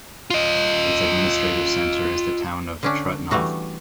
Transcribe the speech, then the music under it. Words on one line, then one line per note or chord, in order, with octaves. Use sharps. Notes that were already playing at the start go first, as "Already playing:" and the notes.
Its administrative center is the town of Trutnov.
F4 D#5
D3 C#4 D4
E3 G3 A3 F#4